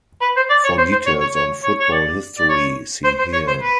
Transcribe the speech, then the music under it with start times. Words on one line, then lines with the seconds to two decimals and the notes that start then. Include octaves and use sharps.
For details on football history, see here.
0.21 B4
0.37 C5
0.50 D5
0.64 C#5
0.78 C5
0.92 C5
1.06 C#5
1.20 C#5
1.35 C#5
1.63 C#5
1.80 C#5
1.92 D5
2.38 D5
2.49 C#5
3.04 C5
3.19 C5
3.32 C#5
3.48 C5
3.61 B4